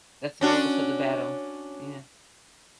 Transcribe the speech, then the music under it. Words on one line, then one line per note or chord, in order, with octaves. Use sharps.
That's most of the battle, yeah.
C#4 D4 F#4